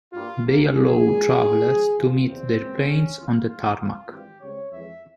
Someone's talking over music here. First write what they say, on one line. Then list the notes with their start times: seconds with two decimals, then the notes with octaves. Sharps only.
They allow travelers to meet their planes on the tarmac.
0.13 G2 G3 A#3 F4
0.44 G2 E3 A#3
0.74 G1 F2 C3 G#4
1.05 G#1 G#2 G3 A#3
1.36 G2 G3 A#3
1.66 G#1 G#2 F3
1.96 E2 C3 F3 F4
2.27 E2 C#3 E3 G3 C4
2.58 C#2 C#3 E3 A#3
2.88 G1 F2 C#3 E3 G3 C#4
3.19 E2 E3 A#3 F4
3.49 A#1 G#2 F3 F4
3.80 C2 A#2 F3 C4 F4
4.10 G#1 G2 E3 G3 C4 G4
4.41 C#2 C#3 G3 C4 C#5
4.72 F2 E3 G#3 E5